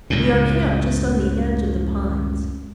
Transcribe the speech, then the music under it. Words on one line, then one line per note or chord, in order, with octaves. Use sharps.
We are camped just on the edge of the pines.
C#2 F#2 A2